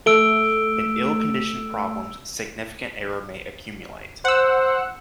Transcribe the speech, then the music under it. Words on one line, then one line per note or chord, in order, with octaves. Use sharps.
In ill-conditioned problems, significant error may accumulate.
A3 E6 D7 G7
C5 F#5 E6